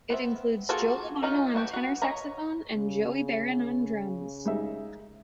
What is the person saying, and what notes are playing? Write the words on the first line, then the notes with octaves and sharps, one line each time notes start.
It includes Joe Lovano on tenor saxophone and Joey Baron on drums.
B3 C4 E5
A#3 F4 F#4 G#4 A4
C#4 D#4 F4 F5
A3 B3 D#4 F#4 G4
B3 F#4
C#5 D#5 G#5 A#5 B5
C#3
G#3 D#4 E5